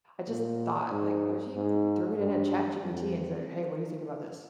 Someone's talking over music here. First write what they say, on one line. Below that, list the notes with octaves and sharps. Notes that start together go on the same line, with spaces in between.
I just thought, like, what if you threw it in a ChatGPT and said, "Hey, what do you think about this?"
A#2
G#2
G#2
G2
F2